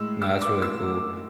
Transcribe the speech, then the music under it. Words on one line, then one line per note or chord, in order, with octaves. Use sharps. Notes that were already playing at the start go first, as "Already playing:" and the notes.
Nah, that's really cool.
Already playing: A2 G#3 E6
E6
D6
E6